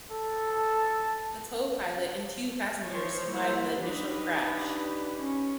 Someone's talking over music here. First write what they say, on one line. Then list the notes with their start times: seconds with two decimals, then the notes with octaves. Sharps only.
The co-pilot and two passengers survived the initial crash.
0.11 A4
0.50 A5
2.85 F3 C5 C#5
3.27 G3 A#3 E4 C5
3.74 D4 D#4 G4 B4
5.16 C#4